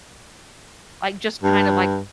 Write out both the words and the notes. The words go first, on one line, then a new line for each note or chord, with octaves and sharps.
Like, just kind of, like
G2